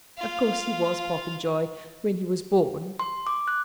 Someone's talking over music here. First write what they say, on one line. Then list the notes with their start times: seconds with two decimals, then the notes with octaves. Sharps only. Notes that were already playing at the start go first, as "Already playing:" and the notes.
Of course he was Popenjoy when he was born.
0.17 F4 F5
3.00 C6
3.27 D6
3.48 F#6